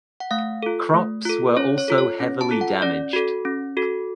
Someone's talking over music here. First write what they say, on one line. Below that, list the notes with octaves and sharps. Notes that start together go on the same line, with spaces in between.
Crops were also heavily damaged.
F#5
A3 F5
F4 A4
A3
F4 A4
C#4 C#5
C#5
F4 A4
C#5
C#4
A5
F4 A4
F#5
C#4 D5
F#4 A4
C#4
F#4 A4